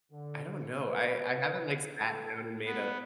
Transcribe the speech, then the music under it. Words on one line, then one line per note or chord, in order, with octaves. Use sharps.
I don't know. I I haven't, like, sat down and made a
D3
B4
A4
B3